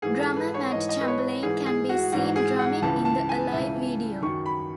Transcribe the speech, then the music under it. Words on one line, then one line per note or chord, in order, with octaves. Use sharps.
Drummer Matt Chamberlain can be seen drumming in the "Alive" video.
G#2 E3 G#4
A4
B4
C#5
G#2 E3 D#5
D#5
B4
C#5
G#2 E3 G#4
G#4
F#4
G#2 E3 F#4
G#4
F#5
C#2 C#3 E3 A5
A5
G#5
C#2 C#3 E3 E5
F#2 D#3 C#6
B5